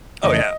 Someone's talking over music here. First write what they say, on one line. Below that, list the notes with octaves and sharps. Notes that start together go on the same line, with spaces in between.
Oh, yeah,
F2 C#3 E3 A3 D#5